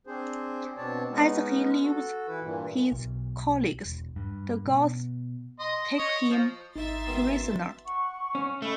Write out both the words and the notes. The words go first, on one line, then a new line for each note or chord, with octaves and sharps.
As he leaves his colleagues, the Goths take him prisoner.
C4 D4 G#4 C5
B2 C4 D4 C#5 D5 A5
G#3 B3 C#4 D#4
F#4 A4
E3 E4 B4
G2 A#2 E3
B1
E1
G2
B2
D#5 C6
C#5 D#5
F3
G#1 D#4 E5 C6 A6
B2 D#3 G#3
F#5 C#6
C#4
A3 D#5 B5